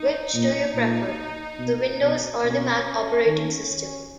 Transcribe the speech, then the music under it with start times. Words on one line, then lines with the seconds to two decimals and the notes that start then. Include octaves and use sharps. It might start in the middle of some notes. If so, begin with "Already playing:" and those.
Which do you prefer: the Windows or the Mac operating system?
Already playing: D#4
0.34 A#2
0.75 A#2
1.59 B2
2.01 B2
2.42 B2 C#4
3.27 D#3